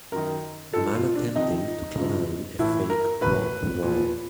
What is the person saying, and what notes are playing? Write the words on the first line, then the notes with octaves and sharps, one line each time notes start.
A man attemping to climb a fake rock wall.
F#2 D#3 A#4
G#2 F3 A4
F4
D4
F2 C3 D#3 D#4
F#2 C#3 F3
A2 E3 E4
A#4
A2 E3 B4
A#2 F3